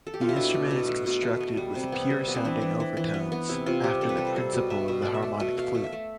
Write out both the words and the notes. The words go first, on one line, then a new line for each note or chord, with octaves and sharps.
The instrument is constructed with pure sounding overtones, after the principle of the harmonic flute.
A4
G4
F4
E4
B2 D4
A3
B2
A3
B2
A3
B3
G3
C3
B3
G3
B3
C4
E3 D4
E3
E3
E3
B3
B3
C3 E4
C3 F4
G3 G4
C3 A4
B4
G3 A4
C5
G3
B2
B2 E5
B2 E5
A3 D5
E5
A3
B2
A3 F5
A3
E5
A3